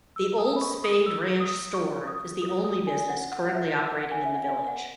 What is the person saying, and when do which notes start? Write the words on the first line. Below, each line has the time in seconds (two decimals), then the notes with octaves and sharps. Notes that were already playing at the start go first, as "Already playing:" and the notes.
The Old Spade Ranch Store is the only business currently operating in the village.
0.16 E6
0.38 D#6
0.56 B5
0.61 C#6
0.84 D#6
1.06 E6
1.40 D#6
1.74 C#6
2.07 D#6
2.42 D#6
2.65 D#6
2.87 G#5
3.10 F#5
3.32 F#5
3.49 F#5
3.55 E5
3.77 F#5
4.03 F#5
4.11 G#5
4.25 E5
4.35 F#5
4.45 G#5
4.68 F#5